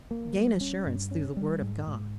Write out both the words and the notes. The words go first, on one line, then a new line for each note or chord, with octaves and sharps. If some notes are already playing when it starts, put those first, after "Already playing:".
Gain assurance through the Word of God.
A#3
G3
C#4
G2
C#4
G3
G#2
G#2